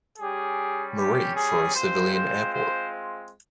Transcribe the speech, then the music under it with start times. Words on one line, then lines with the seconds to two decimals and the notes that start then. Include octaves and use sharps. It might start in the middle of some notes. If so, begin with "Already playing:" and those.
Marie for a civilian airport.
0.19 G3 C#4 G4 G#4
0.97 G4
1.36 G#4
1.75 G#3 C4 F4 C5
2.14 C5
2.54 C5